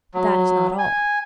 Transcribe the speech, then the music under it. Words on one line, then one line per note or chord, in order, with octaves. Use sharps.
But that is not all.
F#3
G#5